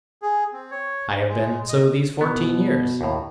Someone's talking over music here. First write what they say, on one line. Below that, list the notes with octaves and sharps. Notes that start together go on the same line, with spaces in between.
"I have been so these fourteen years."
G#4
C4
C#5
G#3
D#5
B2 B3
D#2 A2